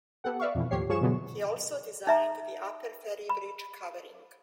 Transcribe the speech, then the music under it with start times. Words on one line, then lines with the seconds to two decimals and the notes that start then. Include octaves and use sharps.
He also designed the Upper Ferry Bridge covering.
0.24 B3 G4 A4 F#5
0.40 B4 D5 E5 F5 C#6
0.55 F2 B2 E3
0.71 D#2 A2 F3 G4 C#5 C7
0.89 G2 F3 G#4 C#5 C#6 E7
1.01 B2 D3 E3 F#3 G#3 B3
2.07 D#4 E5 A#5
3.29 B5